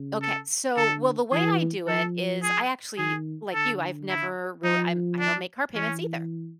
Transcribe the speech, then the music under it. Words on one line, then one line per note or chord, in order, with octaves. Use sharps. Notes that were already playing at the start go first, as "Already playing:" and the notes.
Okay. So, well, the way I do it is I actually, like you, I've never real I'm I don't make car payments either
Already playing: C#3
A4
D3 A4
E3 G#4
F3 A4
G#4
D#3 G#4
D3 A4
E4
F3 D#4
D4
E3 C#4